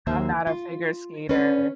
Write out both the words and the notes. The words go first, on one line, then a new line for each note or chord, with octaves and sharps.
I'm not a figure skater.
D#2 A#3 C5 E5
F4
C#4 B4